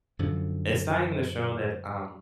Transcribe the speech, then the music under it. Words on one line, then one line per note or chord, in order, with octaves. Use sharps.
it's not even a show that, um,
F#2 D3 F3